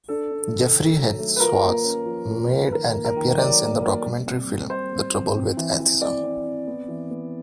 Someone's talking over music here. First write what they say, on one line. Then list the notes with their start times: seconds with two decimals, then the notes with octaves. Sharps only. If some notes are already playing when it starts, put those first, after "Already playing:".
Jeffrey H. Schwartz made an appearance in the documentary film "The Trouble with Atheism".
0.08 D4 A4
0.31 D4
0.53 D#3
0.75 D#3
0.97 F#3
1.19 A3
1.36 B4
1.40 F4 A#4
1.62 A#3
1.84 C#4
2.06 F3
2.28 A#3
2.50 F3
2.65 B4
2.72 D#3 A#4
2.95 A#3
3.05 A#4
3.17 D#3
3.37 F#3 D5
3.60 A#3
3.82 A#3
4.04 G3
4.26 C4
4.47 G3
4.69 G3 C5
4.92 G3
5.14 C4
5.35 C4
5.57 E3
5.80 E3
6.01 C4 D5
6.23 C4
6.45 C4
6.67 B3
6.88 E3
7.11 B3